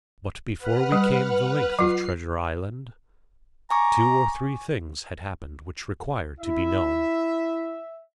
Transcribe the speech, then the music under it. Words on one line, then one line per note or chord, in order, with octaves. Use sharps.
But before we came the length of Treasure Island, two or three things had happened which require to be known.
B4 F#5 F6
G3
F#3 F4 C7
G#5 A#5 C#6 D6
E4 E5